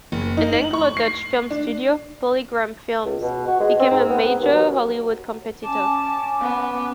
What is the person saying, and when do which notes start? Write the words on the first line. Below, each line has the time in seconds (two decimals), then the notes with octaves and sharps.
An Anglo-Dutch film studio, PolyGram Films became a major Hollywood competitor.
0.12 F#1
0.37 D#4
0.53 F#7
0.73 C#6
0.97 C7
1.51 D4
3.05 C#2
3.22 B2
3.47 F#4
3.60 G#3
3.79 C4
3.91 G#2
4.10 B3
4.26 B3
4.41 D#2
4.53 F#3
5.64 C#4 G#5 A5 D6
6.41 B3